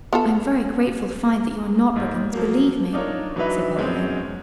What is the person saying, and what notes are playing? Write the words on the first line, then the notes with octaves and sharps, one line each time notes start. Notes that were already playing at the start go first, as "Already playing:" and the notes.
"I am very grateful to find that you are not brigands, believe me," said Beverly.
B3 F4 A4
D#2 G#2
F3 F#3 A#3
D4 D#4 F4 A#4 C#5
E3 F#3 D4 D#4 B4 E5
F#2 B2 G#3 C4 C#4